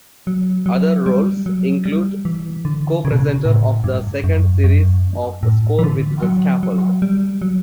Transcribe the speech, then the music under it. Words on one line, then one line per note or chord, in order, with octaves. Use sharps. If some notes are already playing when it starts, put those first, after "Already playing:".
Other roles include co-presenter of the second series of "Score With The Scaffold".
F#3
F#3
G3
F#3
G3
E3
D3
C#3
B2
C#3
A2
G2
F#2
F#2
A2
E3
D3
F#3
F#3
G3
F#3